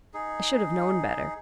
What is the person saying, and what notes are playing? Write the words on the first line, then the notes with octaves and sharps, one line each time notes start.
I should have known better.
D#4 G#4